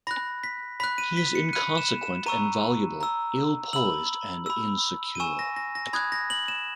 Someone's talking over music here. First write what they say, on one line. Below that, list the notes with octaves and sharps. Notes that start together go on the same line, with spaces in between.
He is inconsequent and voluble, ill poised and insecure.
B5 F#6 A#6
B6
B5 F#6 B6
D#7
B6
C#7
B5 F#6 D#7
E7
E7
A#5 C#6 E6 D#7
A#5 E6
B5 E6 F#7
B5 E6
D#7
G#5 C#6 E6 E7
A#6
A#6
A#6
B5 D#6 F#6 G#6
A#6
F#7
E7